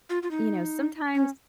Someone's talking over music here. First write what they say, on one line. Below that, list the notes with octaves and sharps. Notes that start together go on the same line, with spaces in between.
you know, sometimes
F4
F4
D#4
C#4